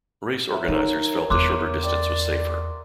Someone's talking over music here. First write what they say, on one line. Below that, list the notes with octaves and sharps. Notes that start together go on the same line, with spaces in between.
Race organizers felt the shorter distance was safer.
F#3 E5
D#4 A#4 C#5
E2 B3 C6 D6
D5 G5